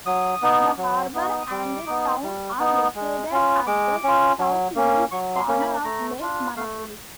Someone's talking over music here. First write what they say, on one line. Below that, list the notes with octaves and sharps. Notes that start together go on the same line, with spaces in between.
The harbour and town are located at the south-east corner of Lake Manapouri.
F#3 D#6
B3 D#4
F#3
B3 D#4
D#6
G3 D6
B3 D#4
G3
B3 D#4
G#3
C#4 F4
G#3 D6
C#4 F4
F#3
A#3 C#4
F#3 C#6
C6
A#3 C#4
B5
A3 A#5
D4 F4
A3 F5